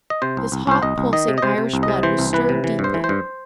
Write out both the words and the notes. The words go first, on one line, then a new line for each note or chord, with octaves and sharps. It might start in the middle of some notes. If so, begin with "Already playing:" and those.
His hot, pulsing Irish blood was stirred deeply.
D#5
C3 C5
C2
C2
C2 C5
C2 D#5
C2
D#3 D#5
C3
D#5
C3 C5
C3
C2
D#5
C3
E3 C5
C2
E3 B4
C3
E3
G2
C5
E3
C5
G2